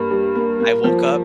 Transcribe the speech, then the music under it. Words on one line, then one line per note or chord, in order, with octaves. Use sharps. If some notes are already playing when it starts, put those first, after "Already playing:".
I woke up
Already playing: G2 A#3
G3
A#3
A#3
F3